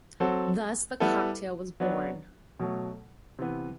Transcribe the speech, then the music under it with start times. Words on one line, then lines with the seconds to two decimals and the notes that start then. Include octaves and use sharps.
Thus the cocktail was born.
0.20 F#3 C4 F#4 A4
1.00 G3 B3 E4 A4
1.80 F#3 B3 D4
2.59 B2 F#3 A3
3.39 C3 E3 B3